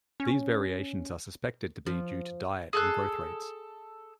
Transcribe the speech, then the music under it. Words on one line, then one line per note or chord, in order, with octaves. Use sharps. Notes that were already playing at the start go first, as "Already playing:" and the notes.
These variations are suspected to be due to diet and growth rates.
C#4
F3
G#4 A4 F#6